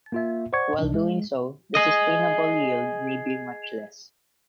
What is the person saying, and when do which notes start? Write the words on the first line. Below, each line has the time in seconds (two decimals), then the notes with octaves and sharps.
While doing so, the sustainable yield may be much less.
0.12 A#3 F4 E5
0.53 C5 D5 F#5 C#6 G#6
0.79 C2 C3 E3 D4
0.94 G#3
1.75 G#4 D#5